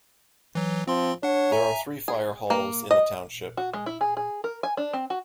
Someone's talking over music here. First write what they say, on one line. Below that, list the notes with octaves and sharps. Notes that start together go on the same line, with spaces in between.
There are three fire halls in the Township.
E3 F#3
F3 C4 C6
D4 C#5 F#5
E5 G#5 A#5
G#4
A#3
D#5
F#4
G#3
E4
G#4
G#4
A#4
G#5
D4
C4
F#4